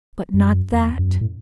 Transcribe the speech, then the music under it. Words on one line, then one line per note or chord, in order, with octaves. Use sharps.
"But not that?"
F#2
E2
F#2
A2